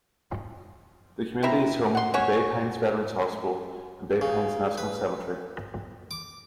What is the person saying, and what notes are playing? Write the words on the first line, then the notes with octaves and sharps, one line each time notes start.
The community is home to Bay Pines Veterans Hospital and Bay Pines National Cemetery.
C4 E4 E5 A#5
F#5 C6
C#4 F#4 C#5
C#3
B4
D6